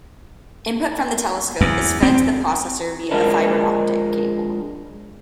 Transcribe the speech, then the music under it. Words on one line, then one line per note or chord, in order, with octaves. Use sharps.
Input from the telescope is fed to the processor via a fiber optic cable.
E2
C4
F3 G#3 D4 A#4 D#5 A5